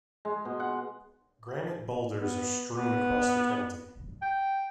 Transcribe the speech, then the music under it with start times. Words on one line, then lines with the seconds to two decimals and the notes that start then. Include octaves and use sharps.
Granite boulders are strewn across the county.
0.25 G#3
0.45 B2
0.60 F#5
2.17 B3
2.73 B3
4.22 G5